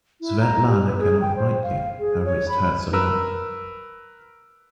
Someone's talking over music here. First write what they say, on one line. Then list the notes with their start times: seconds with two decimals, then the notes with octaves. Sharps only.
Svetlana cannot write yet; her wrist hurts a lot.
0.21 E4
0.40 A#5
0.67 G4
0.86 B4
0.99 G#4
1.21 G5
1.36 C5
1.63 F5
1.99 G#4
2.25 C#5
2.48 B5
2.93 A#4 B4 E6